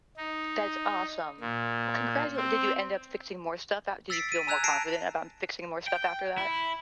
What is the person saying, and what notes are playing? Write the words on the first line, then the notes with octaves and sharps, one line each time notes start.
That's awesome. Well, congratul did you end up fixing more stuff out? Did you feel more confident about m fixing more stuff after that?
D#4
A#2
C4
E6 A6 B6 C7 D7
D#7
G#5 A#5 E6 F#6 G#6 F7
A5 A#6 C7 D7 E7
G5
E4